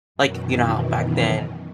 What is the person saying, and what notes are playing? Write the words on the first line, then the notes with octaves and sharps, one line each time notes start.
like, you know how back then
F#2 B2 D#3 E3